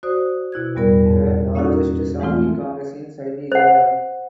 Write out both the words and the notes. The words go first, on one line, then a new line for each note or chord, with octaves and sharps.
The largest shopping complex in Siberia.
F#4 C5 D5 D#6
B2 E4 F#6 G#6
E2 A2 G3 B3 A#4 D5
F2 G#2
A#3 C#4 D#4 E4 F#4 A4
E3 G#3 A3 C4 F4
C5 F#5